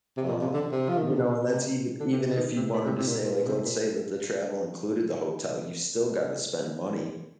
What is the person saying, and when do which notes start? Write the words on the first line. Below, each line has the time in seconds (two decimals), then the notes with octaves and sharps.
um, you know, and that's even even if you wanted to say, like let's say that the travel included the hotel, you still gotta spend money,
0.17 C3
0.28 A#2
0.41 C3
0.54 D3
0.72 C3
0.89 F3
0.98 D#3
1.08 D3
1.17 C3
1.27 A#2
1.45 C3
2.00 D3
2.12 C3
2.25 C3
2.36 D#3
2.56 C3
2.73 A#2
2.85 C3
2.98 C3
3.07 A#2
3.24 A#2
3.39 A#2
3.47 C3
3.65 A#2